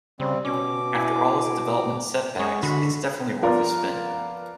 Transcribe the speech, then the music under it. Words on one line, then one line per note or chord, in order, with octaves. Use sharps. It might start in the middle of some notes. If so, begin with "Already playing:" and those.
After all its development setbacks, it's definitely worth a spin.
C#3 G3 C4
B2 C#4 D6
E4 G#5
G#3 G#4 C#6
D3 F#4 B5
F3 B3 F4 A#4 D5